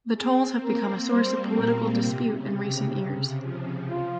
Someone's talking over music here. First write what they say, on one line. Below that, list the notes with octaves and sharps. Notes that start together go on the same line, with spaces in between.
The tolls have become a source of political dispute in recent years.
C4 G#4
A#3 A#4
G3 C5
A#2 A#4
C3 G4
C#3
G4
C3
C#3
F3
F3 F4